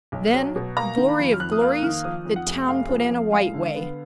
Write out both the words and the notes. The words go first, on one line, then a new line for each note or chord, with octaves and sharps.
Then, glory of glories, the town put in a White Way.
B1
F#3
B2
A#3 A#5
D#3
B5
F2
F6
F2 F#6
D#6
A#3 F6
D#3 F6
F3 D#6
F2
F#5
F1
F1 F5
F3
F2
G#3 F5
D3
B3